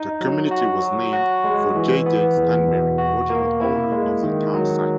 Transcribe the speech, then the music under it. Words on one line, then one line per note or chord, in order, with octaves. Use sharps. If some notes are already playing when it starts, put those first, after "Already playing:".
The community was named for J. J. Stanberry, original owner of the town site.
Already playing: D#4
F#3
F#4
F#3
F#4
G#3
E3
B3
E2
B2
F#4
A#3
E4
G#3
D#3
F#3